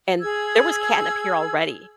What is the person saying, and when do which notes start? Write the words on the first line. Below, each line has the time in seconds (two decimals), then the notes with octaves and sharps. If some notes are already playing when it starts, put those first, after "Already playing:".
and there was catnip here already
0.21 G#4 E6 G#6